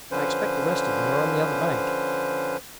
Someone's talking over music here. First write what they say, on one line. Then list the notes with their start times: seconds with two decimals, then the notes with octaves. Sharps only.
I expect the rest of them are on the other bank.
0.11 D3 F3 C#4 B4 C5